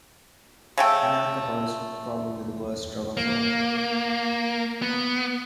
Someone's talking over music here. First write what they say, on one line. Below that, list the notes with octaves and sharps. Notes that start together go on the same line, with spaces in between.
And alcohol is probably the worst drug of all.
C#3 A3 G5
A#3
B3